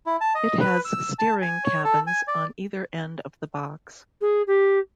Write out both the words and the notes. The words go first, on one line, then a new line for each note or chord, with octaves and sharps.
It has steering cabins on either end of the box.
E4
A5
D#5
B4
E6
A5
G#5
C#5
A4
G#5
D5
G#4
G4